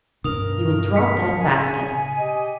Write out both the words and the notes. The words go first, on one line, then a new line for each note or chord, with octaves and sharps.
'You will drop that basket!
G2 B2 D4 A#4 D#6 F7
B6 C#7
A2 C#3 G#5
G4 D#5